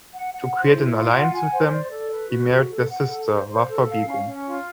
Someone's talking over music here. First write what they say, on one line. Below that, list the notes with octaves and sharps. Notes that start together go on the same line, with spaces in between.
To create an alliance with them, he married "their sister" Wa'fa Begum.
F#5
F#5
C5
E4
F4
F#5
G#5
C5
D5
A4
B4
F#4
A4
A4
F#5
A4
C5
C5
A4
F5
C#4
C#4
F4